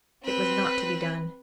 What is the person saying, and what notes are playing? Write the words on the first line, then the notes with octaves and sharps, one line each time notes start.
It was not to be done.
C4 B4